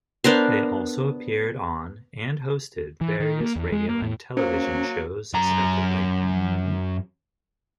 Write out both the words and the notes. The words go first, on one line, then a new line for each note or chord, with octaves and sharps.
They also appeared on and hosted various radio and television shows separately.
B3 D4 A#4 C5
E3
D#3
A#3
E2
G#3
A#3
A2
F#3 A#3 C#4 C5
F#2 A#5